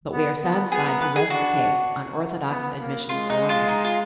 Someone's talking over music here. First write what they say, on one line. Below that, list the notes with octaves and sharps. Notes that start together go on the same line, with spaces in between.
But we are satisfied to rest the case on orthodox admissions alone.
B3
B3
B3 G#4
A#4
B4
G#4
D4 F#4
B3
A#3
G#3 F4
D#4
F4
D#4
F4